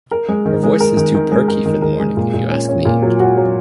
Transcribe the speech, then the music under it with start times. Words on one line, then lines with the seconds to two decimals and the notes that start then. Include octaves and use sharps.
Her voice is too perky for the morning, if you ask me.
0.11 A#4
0.29 G#3
0.46 D#3
0.63 G#3
0.80 A#4
0.97 D#3
1.15 D#3
1.32 G#3
1.48 A#4
1.66 D#3
1.82 A#4
2.00 G#3
2.17 A#2
2.34 A#2
2.51 C#4
2.69 C#4
2.85 A#2
3.02 F#3
3.20 F#4
3.37 F#3